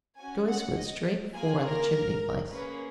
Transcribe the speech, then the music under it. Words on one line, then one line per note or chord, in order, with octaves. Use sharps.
Joyce went straight for the chimney-place.
C#4 F#4 G#5
F#5
D#5
A#3 F4 G#4 G#5
A#4
A#3 C#4 G#4 B4